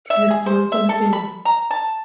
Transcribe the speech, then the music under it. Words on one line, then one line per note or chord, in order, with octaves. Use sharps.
Try doing something.
E5
G#4
C5
E5
A4
B5
A#5
A5